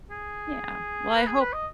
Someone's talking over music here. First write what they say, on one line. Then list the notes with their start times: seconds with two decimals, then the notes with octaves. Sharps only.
Yeah, well, I hope
0.10 G#4
1.15 B4
1.27 G#4
1.40 B4
1.53 D#5